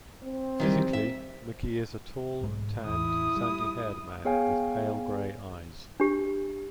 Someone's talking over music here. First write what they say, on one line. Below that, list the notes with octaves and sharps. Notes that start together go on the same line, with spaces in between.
Physically, McGee is a tall, tanned, sandy-haired man with pale grey eyes.
C4
D#3 E3 G3
E5
B1 G#2 G#3
A1 E2 E4 D#6
G3
B3 G#4 C#5 F5 G5 G#5
D4 G4